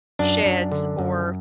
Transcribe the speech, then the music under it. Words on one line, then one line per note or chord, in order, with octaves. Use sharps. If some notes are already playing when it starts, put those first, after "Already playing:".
sheds or
F#2 D4
F#2
D3
F#2